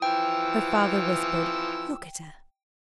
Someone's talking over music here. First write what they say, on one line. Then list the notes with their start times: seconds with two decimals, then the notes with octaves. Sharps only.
Her father whispered, "Look at her!"
0.02 E3 F3 G5 E6